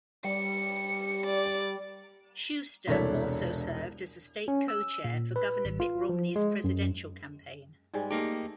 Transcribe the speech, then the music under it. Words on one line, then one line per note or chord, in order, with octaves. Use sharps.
Shuster also served as a state co-chair for Governor Mitt Romney's Presidential campaign.
G3 C#7
D5
E1 C2 D4 A4 C#5 B6
C#4
E6
A#2
B4
G#1
F4
F3
G#3
F#2
G#2 G3 G#3
A3 A#3 D#4 G4